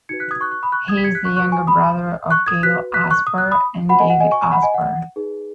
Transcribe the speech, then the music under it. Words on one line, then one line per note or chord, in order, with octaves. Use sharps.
He is the younger brother of Gail Asper and David Asper.
D#4 F#4 B4 G#6 C#7
F#6 B6
D#6 G#6
C#6 F#6
C#6 F#6
B5 D#6
C#6 F#6
D#6 G#6
B6
G#6 C#7
F#6 B6
C#6 F#6
F#4 B4 C#6 F#6
G#5 C#6
B5 D#6
C#6 F#6
D#6 G#6
F#4 B4 F#6 B6
F#6 B6
C#6 F#6
D#6
F#6
B5 D#6
F#4 B4 F#5 B5
D#5 G#5
F#5
D#5 G#5
G#5 C#6
G#5 C#6
F#5 B5
D#5 G#5
F#5
D#4 G#4 B4